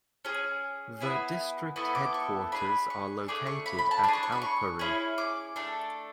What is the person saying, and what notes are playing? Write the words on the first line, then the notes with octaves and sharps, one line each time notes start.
The district headquarters are located at Alpuri.
C#4 G#4
B3 E4 G#4
B3 E4 A4 C#6
D6
C#6
D4 G#4 B5
C#6
A3 D4 G#4 D6
C#6
B5
B5
A5
D4 G#4 B5 C#6
C#6
B5
C#6
C#4 E4 G#4
D6
A3 D4 A4